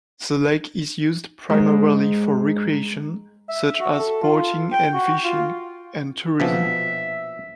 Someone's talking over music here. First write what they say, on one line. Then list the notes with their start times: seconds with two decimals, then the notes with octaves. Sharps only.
The lake is used primarily for recreation, such as boating and fishing, and tourism.
1.50 G#2 G#3
3.49 E5
3.80 F#4
3.99 A4
4.23 F4
4.72 G5
4.94 F#4
5.24 F4
6.40 A#1 B2 F3 E5